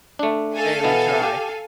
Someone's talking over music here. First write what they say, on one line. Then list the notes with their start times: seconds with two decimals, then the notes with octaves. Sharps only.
hey, we try.
0.19 A3 D4
0.54 A4 F5 G#5
0.84 B2 E3 B3
1.23 G4